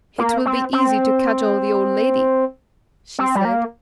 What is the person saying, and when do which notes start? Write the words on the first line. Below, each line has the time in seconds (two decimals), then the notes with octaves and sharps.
"It will be easy to cajole the old lady," she said.
0.18 A#3
0.45 C4
0.73 C4
3.19 C4
3.35 G3
3.45 A#3